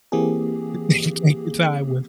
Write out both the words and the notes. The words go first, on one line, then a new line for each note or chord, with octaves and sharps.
T take your time with
E3 A#3 C4 G4 G#4